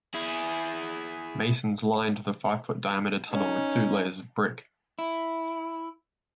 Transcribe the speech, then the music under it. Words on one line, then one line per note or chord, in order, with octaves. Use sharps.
Masons lined the five-foot-diameter tunnel with two layers of brick.
E4 G#4
C#4 D#4
E4